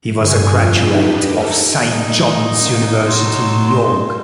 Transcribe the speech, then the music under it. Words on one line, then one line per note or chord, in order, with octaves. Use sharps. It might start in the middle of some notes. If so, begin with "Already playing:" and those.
He was a graduate of Saint John's University, New York.
G2 D3 G#5
F2 F4
D4 D#4 G4 B4
A4 A#4
G3 A3 D#4
A#3 B3 C#4
F#3 A5 C6